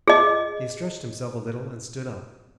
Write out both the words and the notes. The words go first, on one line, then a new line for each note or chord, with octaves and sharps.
He stretched himself a little and stood up.
G#4 D#5